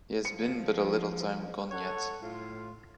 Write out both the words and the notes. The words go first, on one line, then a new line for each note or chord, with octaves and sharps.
He has been but a little time gone yet.
F3 C#7
A4 C#5 F#5
A2 F4